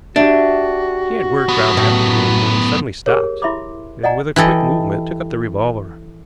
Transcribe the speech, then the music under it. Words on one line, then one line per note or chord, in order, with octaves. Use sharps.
He had worked round half the room when he suddenly stopped, and, with a quick movement, took up the revolver.
D4 F#4 G4 E5
F#2 B3
A2
G4 G#4 A#4 C#5
E4 E5 B5 C6 D6
D5 D#5 F#5 G#5 A#5
E3 G4 A4 D#5